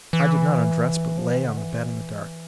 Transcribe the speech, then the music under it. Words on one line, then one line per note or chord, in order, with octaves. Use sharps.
I did not undress, but lay on the bed in the dark.
E3
F3
E3
D3
E3